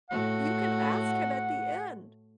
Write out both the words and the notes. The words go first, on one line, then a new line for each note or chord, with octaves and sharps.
you can ask him at the end,
A2 A3 F#4 F#5